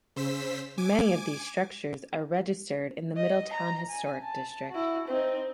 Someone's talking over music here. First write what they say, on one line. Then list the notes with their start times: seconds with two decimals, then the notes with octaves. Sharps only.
Many of these structures are registered in the Middletown Historic District.
0.16 C#3 C5 E6 B6
0.78 G#5 D6
3.17 D#5
3.53 A#5
3.89 G#5
4.23 A5
4.71 E4 F#4
5.08 C4 D#4